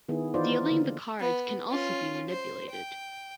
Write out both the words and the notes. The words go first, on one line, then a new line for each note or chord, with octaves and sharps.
Dealing the cards can also be manipulated.
D#3 B3 E4 G#4
E3 D#4 F4 B4 C5 D5
D3 A#3
B3
C#4 F4
C5
G5